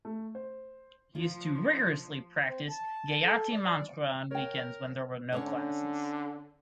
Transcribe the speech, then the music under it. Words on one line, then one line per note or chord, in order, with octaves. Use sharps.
He used to rigorously practice Gayatri Mantra on weekends when there were no classes.
A3
C5
F3 A#3 F4
C4
A5
A4
D5
A#4 C#5 G5
D3 C#4 D4 C#5